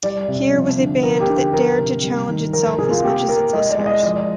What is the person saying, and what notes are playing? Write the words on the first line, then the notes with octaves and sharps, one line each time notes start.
Here was a band that dared to challenge itself as much as their listeners.
G3 D5
C3
F3
D3
F3 A#4
G4
D3
G4
F3 A#4
C3
G3
D#3
F3 A#4
A#4
C3 G#4
F4
A#3 G4
A#3 A#4
G#3 D#5
D5
G#3
D#5
F3 D5